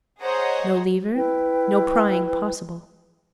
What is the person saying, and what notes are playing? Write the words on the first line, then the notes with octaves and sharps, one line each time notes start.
No lever; no prying possible.
G#4 C5 C#5 D#5 F#5 A#5
E4 B4 G5